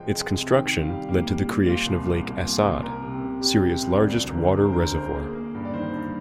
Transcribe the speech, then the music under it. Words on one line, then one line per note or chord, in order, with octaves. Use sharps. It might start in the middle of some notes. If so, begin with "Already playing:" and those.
Its construction led to the creation of Lake Assad, Syria's largest water reservoir.
Already playing: C2 F3 G#3 G5
G#3
C3
D#3 G5
D#3
F5
G3
A#3
G3
G3
A#2 F5
C2
A#3
C2
A#2
C2
C2 A#4
C3
G4
C3
G3 G4
C3
C2
D2 D5
D2
A#4
D3
D3 A#4
C5
A#4
D2
C5
A#4
G#3 C5
A#4
A#3 G#4
A#3
G2
D5
D#3 C5
G2